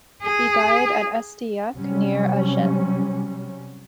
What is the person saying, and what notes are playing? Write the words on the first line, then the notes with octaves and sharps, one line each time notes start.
He died at Estillac near Agen.
G#4
C3 F#3 G3 C#4